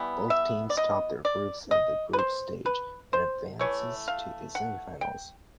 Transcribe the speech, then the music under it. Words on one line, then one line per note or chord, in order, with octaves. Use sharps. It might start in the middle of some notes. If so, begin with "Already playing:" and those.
Both teams topped their groups in the group stage and advances to the semifinals.
Already playing: E3 G3 B3
E5
D5
D#5
D5
D#5
B4
C5
B4
C5
E3 A3 C#5
F5
F#5
G5